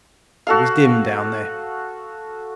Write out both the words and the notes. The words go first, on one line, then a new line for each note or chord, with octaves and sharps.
It was dim down there.
F#4 A4 F5